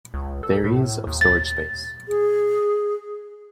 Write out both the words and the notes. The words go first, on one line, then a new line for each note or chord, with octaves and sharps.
There is of storage space.
C#2
A4
A2
D#2
A6
G#4